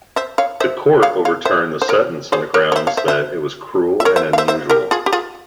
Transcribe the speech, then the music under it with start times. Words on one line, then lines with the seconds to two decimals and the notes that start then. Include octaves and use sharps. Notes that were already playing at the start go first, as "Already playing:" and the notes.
The Court overturned the sentence on the grounds that it was "cruel and unusual".
0.16 C5 E5
0.38 C#5 F5
0.60 C5 E5
1.02 C#5 F5
1.25 C#5 F5
1.45 C5 E5
1.82 C5
1.89 A#4 C#5
2.32 G#4 C5
2.54 A#4 C#5
2.72 C#5
2.76 C5 E5
2.87 C#5 F5
2.97 C5 E5
3.08 C5 E5
4.00 E5
4.05 A#4 C#5
4.16 C5 E5
4.33 F5
4.38 C5 E5
4.48 C5 E5
4.70 G4 A#4
4.91 F4 G#4
5.06 G4
5.13 F4 G#4